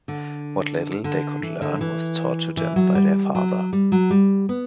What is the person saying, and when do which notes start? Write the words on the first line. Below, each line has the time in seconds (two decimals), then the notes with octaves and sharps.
What little they could learn was taught to them by their father.
0.08 D3
1.04 D3
1.43 E3
1.62 D3
1.81 E3
2.57 E3
2.76 F#3
2.95 G3
3.35 F#3
3.73 G3
3.92 F#3
4.10 G3
4.49 B3